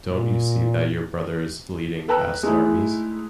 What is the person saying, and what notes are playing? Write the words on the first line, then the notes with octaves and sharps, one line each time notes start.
Don't you see that your brother is leading vast armies?
A#2
A4 B4 G5 A#5 E6 F#6
G#3 A3 D#4 E4